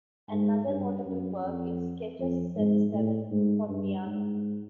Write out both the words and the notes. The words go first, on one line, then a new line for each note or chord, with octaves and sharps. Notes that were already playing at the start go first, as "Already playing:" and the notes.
Another notable work is "Sketches Set Seven" for piano.
G#2
G2
F#2
F2
F2
G#2
A2
G#2
G2
G#2